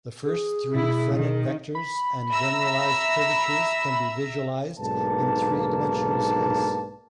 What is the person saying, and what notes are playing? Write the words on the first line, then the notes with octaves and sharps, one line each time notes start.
The first three Frenet vectors and generalized curvatures can be visualized in three-dimensional space.
G#4
B2 E4
D#3
B5
E5 A#5 E6
B1 G#2 A#3 D4 B4 A5